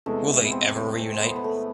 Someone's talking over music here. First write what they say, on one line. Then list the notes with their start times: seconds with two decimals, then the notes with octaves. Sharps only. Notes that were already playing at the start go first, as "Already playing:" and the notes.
Will they ever reunite?
0.06 E2 C3 G#3 A3
0.44 B3
0.51 C4
0.98 C4
1.22 B3
1.36 B3
1.44 A3